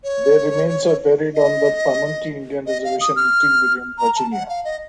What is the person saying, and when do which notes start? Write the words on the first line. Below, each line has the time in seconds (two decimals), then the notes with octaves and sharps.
Their remains are buried on the Pamunkey Indian Reservation in King William, Virginia.
0.04 C#5
1.35 D#5
2.67 D#5
2.84 F5
3.01 D#6
3.16 F6
3.99 A#5
4.15 A5
4.32 F#5
4.49 F5
4.65 D#5